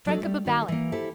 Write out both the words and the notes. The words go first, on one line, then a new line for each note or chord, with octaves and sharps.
Strike up a ballad.
F#3 D4 F#4 A4 D#5
G3 A3
D#3 D#4 F#4
E3 A#3
E4 G4 A4 C5 E5